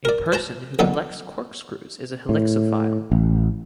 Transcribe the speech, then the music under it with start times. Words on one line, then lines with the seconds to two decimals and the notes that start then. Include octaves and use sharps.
A person who collects corkscrews is a helixophile.
0.05 A#4 D5
0.32 B4 C5 A5 A#5
0.79 A#1 E2 D3 F#3 D#4 B4
2.29 A2
3.12 A1